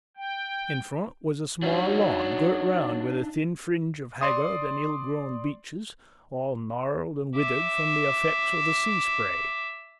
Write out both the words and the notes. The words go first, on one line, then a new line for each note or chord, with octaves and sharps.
In front was a small lawn, girt round with a thin fringe of haggard and ill grown beeches, all gnarled and withered from the effects of the sea-spray.
G5
F#3 D4 D#4 F5
D5 C6 D#6
E5 D6